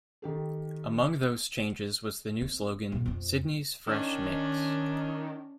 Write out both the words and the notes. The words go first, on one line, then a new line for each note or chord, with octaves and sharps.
Among those changes was the new slogan "Sydney's Fresh Mix".
D#3 G4 A4
C4
A#1
F2 C4
D#3 C#4 D4